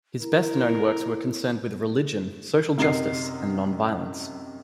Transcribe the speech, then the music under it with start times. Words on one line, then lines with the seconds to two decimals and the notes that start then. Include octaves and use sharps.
His best-known works were concerned with religion, social justice and nonviolence.
0.22 E4 A#4
2.78 F#2 C3 D#4 A#4 C7